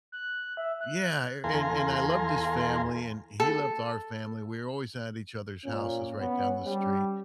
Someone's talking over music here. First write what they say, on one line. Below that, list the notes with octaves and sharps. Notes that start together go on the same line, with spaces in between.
Yeah, a and and I loved his family, and he loved our family, we were always at each other's houses right down the street,
F#6
E5
F#6
E2 A4 F5 G#5 A#5 C6
A4
A#2 C#4
B3
G3